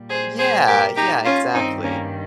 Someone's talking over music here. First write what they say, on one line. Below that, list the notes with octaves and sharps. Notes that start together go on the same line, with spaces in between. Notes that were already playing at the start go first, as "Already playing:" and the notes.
Yeah yeah, exactly,
Already playing: A#2 G3
G#4 C5
G#4 C5
G4 A#4
D#4 G4
C#4 F4
G2 D#3 G3 C4 D#4
A#3 C#4